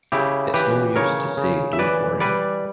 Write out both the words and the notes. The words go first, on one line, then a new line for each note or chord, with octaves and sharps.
It’s no use to say don’t worry.
C#3 E4 G4
E3 G4 B4
C#3 A#4 C#5
C#3
E5
E3 B4 D5
G3 B4 D5